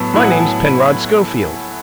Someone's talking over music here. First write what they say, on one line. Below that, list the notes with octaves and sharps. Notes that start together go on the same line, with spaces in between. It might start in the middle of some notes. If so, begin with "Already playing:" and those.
"My name's Penrod Schofield."
Already playing: A2 F#3 B3 A5
A2 F#3 B3 E4 B5
F#5
G#5
A5
B5